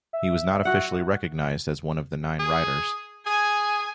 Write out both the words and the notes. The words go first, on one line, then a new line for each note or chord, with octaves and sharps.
He was not officially recognized as one of the nine riders.
E5
F#4 F#5
G#4
G#4 G#5